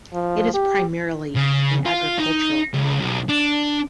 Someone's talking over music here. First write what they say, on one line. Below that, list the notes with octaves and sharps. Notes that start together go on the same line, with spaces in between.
It is primarily an agricultural community.
F3
G4
C#3
F4
D#4
C#2
B1
D4